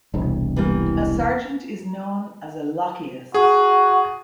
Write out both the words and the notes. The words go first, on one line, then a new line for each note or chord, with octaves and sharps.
A sergeant is known as a lochias.
E1 C2
E3 G3 A#3
F#4 G#4